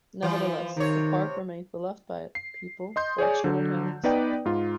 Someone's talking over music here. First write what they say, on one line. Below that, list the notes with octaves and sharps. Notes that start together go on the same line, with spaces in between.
Nevertheless, the Park remained beloved by the people for its shadowed alleys.
E3 F3 F4
C3 D#3 C#5
C7
D#5 C6 G6
G#4 C#5 D5 G#5
D3 F#3
B3 D#4 B4 D5 G5
G#2 F4